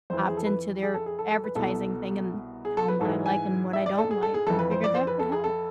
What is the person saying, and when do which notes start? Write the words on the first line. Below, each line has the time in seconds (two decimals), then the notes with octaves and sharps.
opt into their advertising thing and tell 'em what I like and what I don't like, and figured that could help.
0.10 F2 E3 C5
0.28 G#4
0.37 A4
0.46 B4
0.83 G#4
0.94 A4
1.06 G#4
1.19 A4
1.32 A4
1.44 B4
1.55 C2 B2 A4
2.65 G#4
2.77 A4
2.88 B4
3.01 G#2 A4
3.05 E3
3.26 G#5
3.73 E5
3.86 D5
3.98 A4
4.11 G#4
4.23 A4
4.34 G#4
4.46 F2 E3 A4
4.59 B4
4.71 C5
4.84 D5
4.95 C5
5.07 B4
5.20 A4
5.32 G#4
5.44 A4